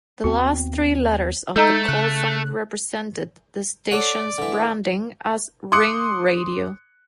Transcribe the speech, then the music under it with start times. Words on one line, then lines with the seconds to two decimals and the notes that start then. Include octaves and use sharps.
The last three letters of the callsign represented the station's branding as "Ring Radio".
0.24 D#2 B3 C4 F#4
1.56 G#3 A3 D#4 A4 A#5 E6 G6
1.88 C#3 F#6
3.91 A4 C#5 D5 F#5
4.38 D3 E3
5.72 C6 D6 D#6 F#6 C#7